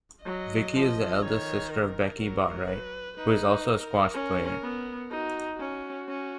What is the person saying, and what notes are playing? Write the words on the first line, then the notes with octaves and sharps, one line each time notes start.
Vicky is the elder sister of Becky Botwright, who is also a squash player.
F#3 D#5
F3
D#3 C#5
A#4
F#3
B4
D#4 B4
A#4
C#4
B3
D#4 F#4
C#4 F#4
C#4